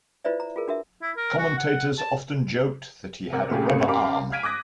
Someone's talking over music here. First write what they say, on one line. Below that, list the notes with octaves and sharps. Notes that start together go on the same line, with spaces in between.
Commentators often joked that he had a "rubber arm".
E4 F4 B4 C5 D5 E5
A#5
F4 G#4 A#4
D4 F#4 A#4 E5
E4
A#4
F#4
F#5
A5
C3 A#4 F#5
A#2 C#3 A3 G4 G#4
G#1 C#2 C#3 A3 A#3 C#7
F#2 G4 A#4 F5 B5 D6
F5 F6 G#6 B6 D7 D#7
D6 D#6 F#6 A#6